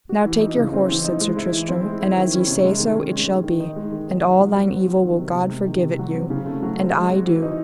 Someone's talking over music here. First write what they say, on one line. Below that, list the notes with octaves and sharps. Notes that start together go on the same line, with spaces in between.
Now take your horse, said Sir Tristram, and as ye say so it shall be, and all thine evil will God forgive it you, and I do.
F#4
E3
D#4
C#3
C4
E3
D#4
G#3
E4
E3
C4
G#3
E4
D#3
C#4
C3
G#3
D#3
C#4
G#3
D#3
D#3
D#4
G#3
D#3
C4
F#3
F#3
F#4
C4
F#3
D#3
C3
C3
G#3
D#3
C3
F#3
C4
C#3
A3
F#3
C4
G#3
F#4
E3
D#4